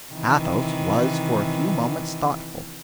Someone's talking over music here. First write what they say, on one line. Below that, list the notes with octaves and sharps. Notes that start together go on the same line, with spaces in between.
Athos was for a few moments thoughtful.
C3 D#3 E3